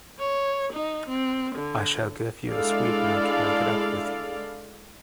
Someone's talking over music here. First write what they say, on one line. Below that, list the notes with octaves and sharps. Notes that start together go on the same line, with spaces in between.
I shall give you a sweetener to make it up with you.
C#5
D#4
C4
D3
G#3 D4 E4 A4 D5 F5